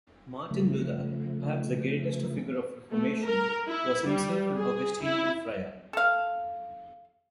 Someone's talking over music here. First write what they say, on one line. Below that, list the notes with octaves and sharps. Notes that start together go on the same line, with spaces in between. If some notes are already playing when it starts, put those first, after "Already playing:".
Martin Luther, perhaps the greatest figure of the Reformation, was himself an Augustinian friar.
C#3 F3 A3
A3
A#4
E4
G3
G#4
E4
A4 F5